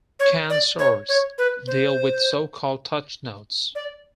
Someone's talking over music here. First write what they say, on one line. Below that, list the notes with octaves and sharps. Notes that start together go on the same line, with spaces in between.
Kan-swars deal with so called "touch notes".
C#5
D5
C#5
C#5
B4
C5
D5